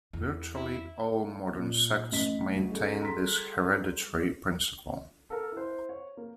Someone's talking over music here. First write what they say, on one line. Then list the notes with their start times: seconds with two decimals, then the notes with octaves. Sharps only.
Virtually all modern sects maintain this hereditary principle.
0.13 E2
0.55 E4
1.57 A#2
2.12 A1 D#5 B6
2.56 G3 F#4
2.70 F#4 G#4 A4
3.02 A#5 C6 B6
5.30 A4 A#4
5.52 E4 C5
5.89 C#5
6.17 A#3